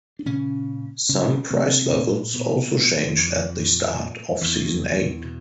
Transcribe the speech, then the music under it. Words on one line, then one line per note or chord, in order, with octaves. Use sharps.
Some prize levels also changed at the start of season eight.
D4
A#2 C#3 C#4
C#3 C#4
C3 C4
A#2
B2 B3
F2 F3
A#2
E2 E3
B2